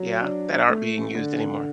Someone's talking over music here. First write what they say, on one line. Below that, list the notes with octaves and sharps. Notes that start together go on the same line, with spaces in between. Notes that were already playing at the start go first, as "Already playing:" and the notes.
Yeah, that aren't being used anymore.
Already playing: F#3
D4
A3
D3